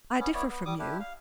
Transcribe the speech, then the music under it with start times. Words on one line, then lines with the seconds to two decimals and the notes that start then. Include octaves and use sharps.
I differ from you.
0.19 B3 C#4
0.34 B3 E4 C#5 D5
0.49 B3
0.65 G3 D6 D#6
0.79 D4 E4 G4
1.00 F5